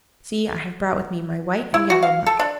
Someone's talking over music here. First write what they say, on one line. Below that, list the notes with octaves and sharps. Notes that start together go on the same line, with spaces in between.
See, I have brought with me my white and yellow muff.
E4
F#4
F5
A4
D4